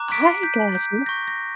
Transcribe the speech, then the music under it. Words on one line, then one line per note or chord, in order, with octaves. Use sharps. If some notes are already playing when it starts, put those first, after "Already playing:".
I got you.
Already playing: A#5 D6 F#6
B6 D7
G6 B6
G6
C#6 G6 A#6
A#6